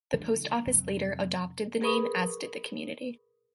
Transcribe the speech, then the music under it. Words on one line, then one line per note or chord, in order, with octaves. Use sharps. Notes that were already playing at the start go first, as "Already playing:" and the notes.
The post office later adopted the name, as did the community.
C#3 E3 G#3 D4
F2 C3 F#3
G#4 A#4 B4 B5 C#6 D#6